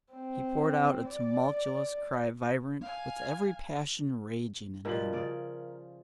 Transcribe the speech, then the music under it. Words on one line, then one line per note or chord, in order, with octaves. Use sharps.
He poured out a tumultuous cry vibrant with every passion raging in him.
C4
D5
F5 G#5
B2 F3 G3 A#4 F#7
C#3 D5